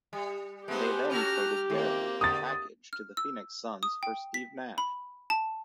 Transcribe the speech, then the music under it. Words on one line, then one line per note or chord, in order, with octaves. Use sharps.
They then traded Garrity in a package to the Phoenix Suns for Steve Nash.
G3
G#3 A3 B3 G4 C5
C#4 F#4 A4 A#5 F6
D#3 A#3 C4
D3 D#6 A6
F6
E6
D#6
G5
B6
B5
A5